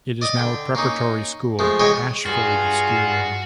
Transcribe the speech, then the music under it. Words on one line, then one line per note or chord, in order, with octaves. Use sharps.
It is now a preparatory school, Ashfold School.
D5 D#5 D#6
D3 G5
A#3 C#4 D#4
F3 G#3 A3
B2 E3 G#3 C#5 D#5 G5
G2 F4 F#4 G#4